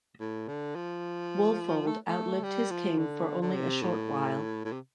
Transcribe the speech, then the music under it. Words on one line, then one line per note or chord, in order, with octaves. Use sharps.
Wulfoald outlived his king for only a short while.
A2
D3
F3
A3
A3
G3
F3
D3
D3
C3
A2
A2
C3